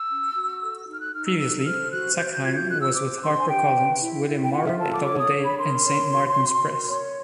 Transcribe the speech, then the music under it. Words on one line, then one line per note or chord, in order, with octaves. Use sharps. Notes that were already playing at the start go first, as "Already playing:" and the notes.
Previously, Zackheim was with Harper Collins, William Morrow, Doubleday, and Saint Martin's Press.
Already playing: E6
C#4
F#4
A4
D#4
F6
F#6
D#4 F6
E6
A4 E6
E6
C5 F6
F#4 F#6
F#4 G6
G6
F4 G#6
G6
G#4 F#6
E6
C5 D6
D4 C6
G#5
G4 G5
B4
E4
E4
G5
F4 F#5
E5
A4 A5
D6
C#5 D6
D#6
D4
B5
A#4 C6
C#5
F#4
F#4
A#4
C#5